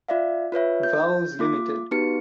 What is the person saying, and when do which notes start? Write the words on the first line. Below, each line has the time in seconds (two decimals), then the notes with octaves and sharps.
Vowles Ltd.
0.08 F4 D5 E5 F5
0.52 F4 B4 C#5 E5
0.83 G6
1.39 A#3 F4 D6
1.91 B3 D#4 F#4 G4 B4 C#7